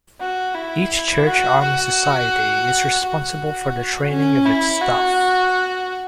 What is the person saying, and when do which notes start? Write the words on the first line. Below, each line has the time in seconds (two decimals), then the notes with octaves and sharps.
Each Church Army Society is responsible for the training of its staff.
0.20 F#4
0.55 E4
1.26 F#4
1.61 F#4
3.04 F#4
4.11 C#4
4.45 E4
4.81 F#4